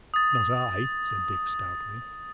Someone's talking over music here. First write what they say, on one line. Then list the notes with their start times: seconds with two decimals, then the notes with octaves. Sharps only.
"Not I," said Dick, stoutly.
0.14 D#6 A6